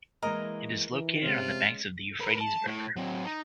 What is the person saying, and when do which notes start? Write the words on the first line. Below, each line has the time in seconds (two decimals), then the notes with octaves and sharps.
It is located on the banks of the Euphrates River.
0.22 E3 G#3 A#3 A#4 D#5 A#5
0.91 E3
1.22 C3 G#3 C#4 F4
2.21 A#4 B4
2.41 A5
2.66 A2
2.97 F#3 C4
3.25 D#4